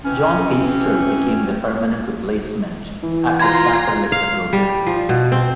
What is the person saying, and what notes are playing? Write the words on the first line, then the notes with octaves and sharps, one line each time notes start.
John Keister became the permanent replacement after Shafer left the program.
E3 C4 C#4
E3
F4 A#5 C6 G#6
F5
G3
F3
B2
C4